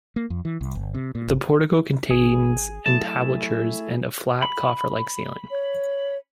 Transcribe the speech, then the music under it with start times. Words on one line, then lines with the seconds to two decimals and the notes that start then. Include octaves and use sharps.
The portico contains entablatures and a flat, coffer-like ceiling.
0.16 A#3
0.30 F2
0.45 E3
0.61 C2
0.75 G1
0.95 C3
1.15 A#2
1.28 G1
2.11 G#1 G#4
2.86 F#3 A3 E4 A5
4.42 B5
5.51 C#5